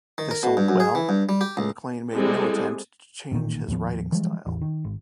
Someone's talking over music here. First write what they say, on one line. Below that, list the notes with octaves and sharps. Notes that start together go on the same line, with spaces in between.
They sold well, and MacLean made no attempt to change his writing style.
D#3
A#4
B2
G2
F#2
G#4
E3
G2
G3
G4
C#2
G3 G#3 C4 E4 G#4 A4
A1 A#2 D3 D#3
D#2 A2 F3 B3
E3 F3 G3 G#3
A1 E2
D#3
G#1